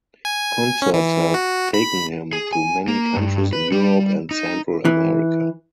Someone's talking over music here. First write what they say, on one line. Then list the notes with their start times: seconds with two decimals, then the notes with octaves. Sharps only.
Concerts have taken him to many countries in Europe and Central America.
0.25 G#5
0.82 C#4
0.94 E3
1.34 F#4
1.74 B5
2.33 G#4
2.53 G#5
2.88 A#3
3.17 G2
3.53 B4
3.72 G3
4.31 D#4
4.85 E3